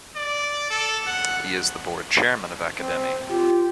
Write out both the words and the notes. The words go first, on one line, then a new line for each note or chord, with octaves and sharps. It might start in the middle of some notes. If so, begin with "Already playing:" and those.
He is the board chairman of Academi.
D5
A4
F#5
C4
F4 G4